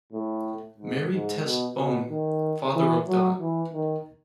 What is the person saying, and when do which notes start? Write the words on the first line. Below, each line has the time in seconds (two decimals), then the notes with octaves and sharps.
Married Tess Bone, father of Dot.
0.13 A2
0.78 G#2
1.11 G#2
1.43 B2
1.76 B2
2.09 D#3
2.74 E3
3.07 F#3
3.40 E3
3.73 D#3